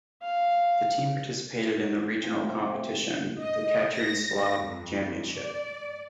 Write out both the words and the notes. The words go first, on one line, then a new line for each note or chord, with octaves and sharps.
The team participated in the regional competition, the Katerynoslav championship.
F5
F3 A3 C4
D#5
A#6
F2
D5